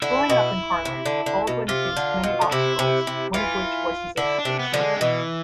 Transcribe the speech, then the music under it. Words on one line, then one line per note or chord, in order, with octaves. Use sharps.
Growing up in Harlem, Baldwin faced many obstacles, one of which was his education.
D3 E4
B2
C3
D3
D3
B2
C3 F4
D3
B2
D3
C3 E4
C3
C3
E3 F4
D3 E4
D4
C3
B3
D3 F3
G#3
D3
B2 E3